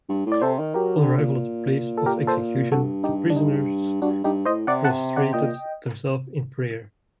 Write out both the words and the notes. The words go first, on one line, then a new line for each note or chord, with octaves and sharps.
On arrival at the place of execution the prisoners prostrated themselves in prayer.
G2
A2
D5
C3 A4 C5
D#3
F#3 G4 A#4
D3
A#2
A4
G4 A#4
A4 C5
G2 F#4 A4
D#4 G4
D4
D#4
G2 D4 F#4
G2 D#4 G4
A2 C5 D#5
C3 D5 F#5
F#5 A5
D5 F#5
A#2 D#5 G5